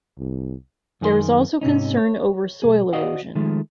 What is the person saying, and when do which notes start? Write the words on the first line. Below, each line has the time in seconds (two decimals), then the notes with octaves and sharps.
There is also concern over soil erosion.
0.19 C2
1.01 F#2 D#3 G#4 D#5 C6
1.61 G#2 C3 C#4 D#4
1.97 C#5
2.62 B1 A#2 G#4
2.93 F#4 C5 D5 D#5 F5 F#5
3.35 D#3 F3 G#3 A3